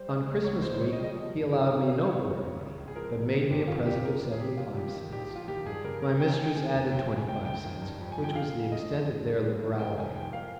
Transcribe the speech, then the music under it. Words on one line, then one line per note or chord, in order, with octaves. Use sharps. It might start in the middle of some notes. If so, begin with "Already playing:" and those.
On Christmas week he allowed me no board money, but made me a present of seventy-five cents; my mistress added twenty-five cents, which was the extent of their liberality.
Already playing: G3 C5
G#3
D#2
C#2 C#5
G#3 C5
C5
C#3 C#5
D#5
G3
D#5
F3
G2
F3
F3
A#3 F5
D#3 C#5
G#1
G#1
C#3
C#2
G#4
F3 A#4
F3
D#3
G1 G4
F2 F4
F2 G4
F3 A#4
D#2
G#4
F3 G4
C#3 F4
D#3 G4
D#3
A#1 G4
G4
F3
F4
D#3 G4
G2 G#4
C#3 A#4
C#3 A#4
A#3 G5
G#5
A#3
G5
G#3 G#5
F1
F2 G5
G#3
G#5
C#2 G5
C#2 G5
D#3
G2
F2
G#5
F2
G5
F3 F5
F3
F2 D#5
F2
F3
G2
G3
D#3
C3 G5
D#3 G#5
F2 G5
A#3 F5